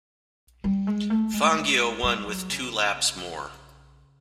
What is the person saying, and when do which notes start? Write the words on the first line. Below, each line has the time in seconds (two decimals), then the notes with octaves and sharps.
Fangio won with two laps more.
0.64 G3
0.87 G#3
1.10 A3
1.34 G#3
2.03 G3
2.26 F#3
2.49 C#3